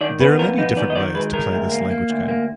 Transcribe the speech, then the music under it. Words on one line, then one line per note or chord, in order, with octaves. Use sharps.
There are many different ways to play this language game.
D#3 D5
B3 B4
F2 A#4
B3 D#4
D#3 D5
D#5
D#3 D5
G#3 B4
G#3 A#4
D2
A#3
A#3
D2
A#3